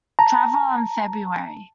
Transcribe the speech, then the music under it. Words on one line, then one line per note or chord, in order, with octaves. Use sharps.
Tarver in February.
A5 A#5